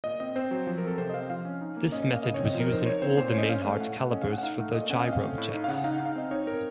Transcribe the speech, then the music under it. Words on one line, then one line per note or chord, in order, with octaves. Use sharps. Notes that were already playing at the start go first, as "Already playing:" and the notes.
This method was used in all the Mainhardt calibers for the Gyrojet.
A#2 D#5
C4 D#5
C4 C5
F#3
F3
C4 A#4
A4
C3 C5
D#5
C4 F5
F3 F5
C#4
D#4
A#3
C#4 D#5
D#5
A#3
F5
C#3 D#5
C#5
C4
D#5
F3
A#4
D#4 C5
D#4 C#5
C4 C5
A#2 C5
C#5
C#4 D#5
C#4 F5
A3 F5
A2 F#5
A3
C#4 D#5
F5
A3 F#5
F#5
D#4 F5
A3
A#2 D#5
C#4 F#5
F5
C4 D#5
F5
A3
A2
D#4
F5
C#3 F#5
D#4 F5
D#4
F5
C4 D#5
D#4 C#5
C4 A#4